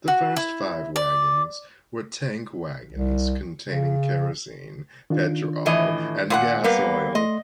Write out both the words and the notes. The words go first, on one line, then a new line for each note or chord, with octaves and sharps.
The first five wagons were tank wagons containing kerosene, petrol and gas oil.
F#4
E4
D5
C2
C#3
D#3 D4 F4
A2 E3 D#5
A#2 B4 F#5
G3 A#3 B3 B4
A3 D#5 C6